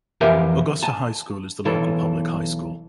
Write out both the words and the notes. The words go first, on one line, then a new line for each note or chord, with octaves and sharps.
Augusta High School is the local public high school.
F2 E3 G4 A#4 E5 G#5
G#5 A5
B1 E3 A4